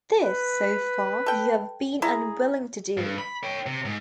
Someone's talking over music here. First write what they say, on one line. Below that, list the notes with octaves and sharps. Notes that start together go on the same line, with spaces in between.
This, so far, you have been unwilling to do.
B4
A4 G5
E4 G#4 A#5
G2
B5
C#5 G5
C3
G#2